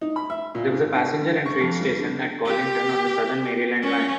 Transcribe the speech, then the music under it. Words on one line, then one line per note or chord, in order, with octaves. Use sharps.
There was a passenger and freight station at Collington on the Southern Maryland Line.
D#4
B5
E5
A#2
G#2
D4
G2
C#6
F2
G3
D3
G4
C#4